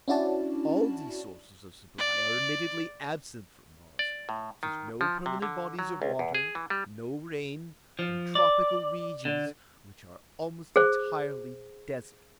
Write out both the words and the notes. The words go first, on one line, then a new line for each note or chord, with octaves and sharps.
All these sources of supply are admittedly absent from Mars, which has no permanent bodies of water, no rain, and tropical regions which are almost entirely desert.
C#4 D4 E4 F#4 D5 A5
D5
D5
A2
D#3
F3
C3
D3
F#3
C#2
E2
G#4
E3
G3
F3
D5
D3
G#4 C5